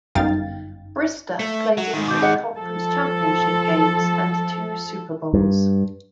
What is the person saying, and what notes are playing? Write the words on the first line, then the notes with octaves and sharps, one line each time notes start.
Brister played in three conference championship games and two Super Bowls.
G1 F#2 D#4 F5 G5 A6
A3
F#3
G#2 D#3
B2 D6 G6
G#4 D#5 F#5
F3 A4
G2